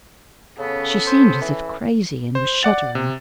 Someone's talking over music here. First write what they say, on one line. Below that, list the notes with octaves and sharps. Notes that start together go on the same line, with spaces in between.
She seemed as if crazy, and was shuddering.
C#3 B3 C#4 A4
C5
E3
C5
D5 F#5 A6
C3